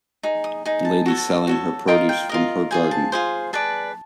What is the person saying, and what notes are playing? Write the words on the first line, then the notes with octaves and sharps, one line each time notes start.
A lady selling her produce from her garden.
D#4 G#4
D#6
D#4 G#4
A5
F#4 A4 C#5
F#4 A4 C#5
F4 A#4 D#5 G5
G5
F4 A#4 D#5
F4 G#4 C5 G#5
A5
F4 G#4 C5
G#4 B4 D5 A5